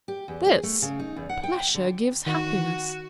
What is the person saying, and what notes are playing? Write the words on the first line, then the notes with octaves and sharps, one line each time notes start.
"This--pleasure gives happiness."
G4
E2
G#4
A3
C#3
D#4
E2
F#5
G5
D3
D#3 F#4 F#5